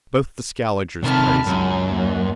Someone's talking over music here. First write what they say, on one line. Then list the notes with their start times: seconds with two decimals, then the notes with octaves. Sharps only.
Both the Scaligers praise him.'
1.04 C3 D#3 A5 B5 F6
1.46 C#2 F#2
1.86 D#2